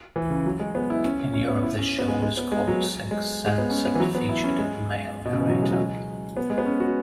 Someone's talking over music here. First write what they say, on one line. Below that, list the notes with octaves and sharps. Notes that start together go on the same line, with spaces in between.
In Europe the show was called Sex Sense and featured a male narrator.
E3
C#3
F#3
G#3
B3
E4
C#4
C#4
B3
E4
C#4
B3
G#3
G#3
B3
G#3
F#3
G#3
G#3
B3
C#4
B3
E3
F#3
B3
E4
C#4
G#3
B2
C#3
E3
F#3
G#3
F#3
G#3
B3
G#3
B3
C#4
F#4